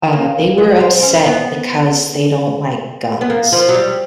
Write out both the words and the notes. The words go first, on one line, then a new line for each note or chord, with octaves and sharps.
Uh, they were upset because they don't like guns.
A#3
B3
C4
C#4
B3
B3
A#3
F3
F#3
G3